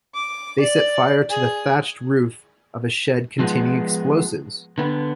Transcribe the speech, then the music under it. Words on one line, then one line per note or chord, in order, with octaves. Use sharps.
They set fire to the thatched roof of a shed containing explosives.
D6
D5
G#4
F3 G#3 B3
D3 B3